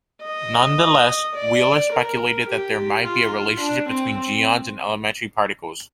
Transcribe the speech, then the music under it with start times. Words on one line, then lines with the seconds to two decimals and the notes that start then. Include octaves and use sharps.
Nonetheless, Wheeler speculated that there might be a relationship between geons and elementary particles.
0.24 D#5
1.36 D5
1.93 A#4
2.49 G4
3.06 F4
3.61 D4
3.89 C4
4.18 C4